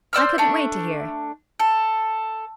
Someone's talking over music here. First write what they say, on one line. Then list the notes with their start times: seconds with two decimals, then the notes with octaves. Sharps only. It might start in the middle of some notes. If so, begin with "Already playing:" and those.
'I couldn't wait to hear.
0.13 C5 D5 E6 F6
0.38 A3 D4
1.60 A4